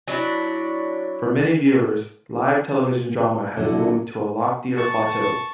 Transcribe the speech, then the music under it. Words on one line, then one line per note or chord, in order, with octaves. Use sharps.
For many viewers, live television drama had moved to a loftier plateau.
F#3 D4 E4
D3 F#3 D4 E4 A4
A5 C#6